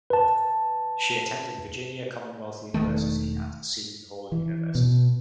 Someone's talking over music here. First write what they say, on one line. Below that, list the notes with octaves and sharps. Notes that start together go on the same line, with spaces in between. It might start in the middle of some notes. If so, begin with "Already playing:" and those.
She attended Virginia Commonwealth University and Seton Hall University.
B4 A5
E1 D#2 D#3 A3
E3
B2